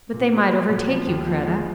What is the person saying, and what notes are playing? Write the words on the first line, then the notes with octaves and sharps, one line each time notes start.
"But they might overtake you, Kreta."
A#2
A#3
F#3
A#2
F3
D#2
F3
G#3